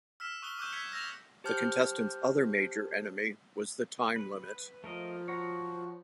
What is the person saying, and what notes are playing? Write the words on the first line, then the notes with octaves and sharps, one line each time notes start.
The contestants' other major enemy was the time limit.
E6 F6 B6 E7
C#6 D#6 F#6 B6 G7
C#6 D6 E6 F#6 G6 D#7
E6 F#6 G#6 B6 C#7
E6 A#6 E7 F7
G4 C5 A5 F6 G6
B4
F3 A3 A#4 D#5
F#4 C#5 A#5